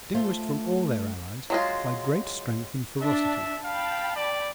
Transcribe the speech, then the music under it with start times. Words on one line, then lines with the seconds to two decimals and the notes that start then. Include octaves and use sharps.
'Distinguished from all their allies by great strength and ferocity.'
0.15 A3 F4 C5
1.50 F#3 G#3 F4
3.01 D4 E5
3.64 F5 G5 A5 B5
4.16 D5